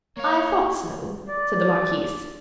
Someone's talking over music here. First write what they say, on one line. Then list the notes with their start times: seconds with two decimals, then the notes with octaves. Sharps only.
"I thought so," said the marquise.
0.17 A#3 C#5 F5
1.28 D5